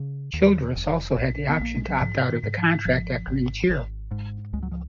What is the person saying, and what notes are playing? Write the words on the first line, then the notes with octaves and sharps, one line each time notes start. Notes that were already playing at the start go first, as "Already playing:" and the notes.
Childress also had the option to opt out of the contract after each year.
Already playing: C#3
D#2
F1
A#1
B3
A#1 A#3
G#3
F#3
G#2 F3
D#3
G#2
F3
G#1 F3
G#1
G#1
G#2
C#2 G#3
F#3
F3